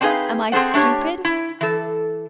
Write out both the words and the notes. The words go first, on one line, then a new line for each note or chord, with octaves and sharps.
Am I stupid?
C4 D4 D#4 G#4 B4 F5
C4 G#4 A4 C5 F#5
A3 D4 G4 C#5
E4
E3 A4